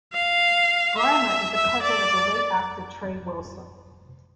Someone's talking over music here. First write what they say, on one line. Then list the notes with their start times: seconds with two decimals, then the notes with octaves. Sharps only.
Brimer is a cousin of the late actor Trey Wilson.
0.13 F5
0.98 E5
1.55 E5
1.82 D5